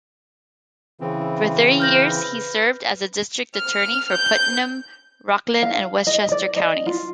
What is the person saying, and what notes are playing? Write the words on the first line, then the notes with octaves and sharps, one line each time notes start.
For thirty years he served as district attorney for Putnam, Rockland, and Westchester Counties.
C#3 E3 C4 E4
B4 F6 G6 A#6
F6
G6
F5
D#5
D5
D#5
F4